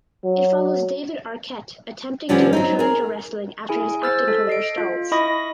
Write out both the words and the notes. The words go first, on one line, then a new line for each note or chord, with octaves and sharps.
It follows David Arquette attempting to return to wrestling after his acting career stalls.
F#3
G2 D3 F3 G3 C#4 G4
F#3 C4 D#4
G#4 A#4
E4 G#4 G#5
C5 E6 F6 A6
A4
D#5 C7 D7
F4
E4 D#5 B5 C#6 D#6 A#6